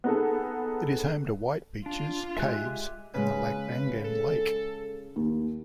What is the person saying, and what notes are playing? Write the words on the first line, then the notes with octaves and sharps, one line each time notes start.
It is home to white beaches, caves, and the Lagbangan Lake.
B3 D#4 G#4 A4
D4 F4
G#3 G4 E5 G#5 F#6
C#3 G#3 B4
A4
D#2